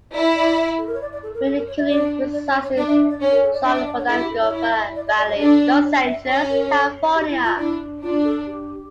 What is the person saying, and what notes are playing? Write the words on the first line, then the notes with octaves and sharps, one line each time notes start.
Moon currently resides in San Fernando Valley, Los Angeles, California.
E4 D5
D5
A4
A#4
C#5
D5
D5
A4
A#4
A4
A#4
C#5
E5
D4 D5
D5
C#5
C#5
D4 D5
E5
E5
D5
C#4 C#5
A#4
A4
D5
D4 E5
E5
D5
C#5
E4 A4
G4
A4
C#5
E4
D5
D5
D5
C#5
D4 A4
C#5
D5
E5
C#4 C#5
A#4
A4
G4
E4
F4
D4 E4
D4 F4
A4
G4